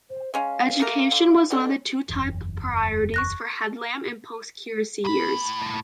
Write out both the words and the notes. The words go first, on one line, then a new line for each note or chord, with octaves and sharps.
Education was one of the two top priorities for Headlam in post-curacy years.
C5
G#3 C#4 F5
A3 A#3 A#4
D3
B2 D4 A4
F#1 E2
C#6 F#6 A#6
A2 B5